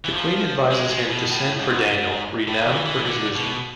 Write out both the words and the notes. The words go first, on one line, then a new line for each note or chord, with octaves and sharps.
The queen advises him to send for Daniel, renowned for his wisdom.
E3
F3
G#3
G#3
B2
A2
G#2
A2
E3
E3
D3
B2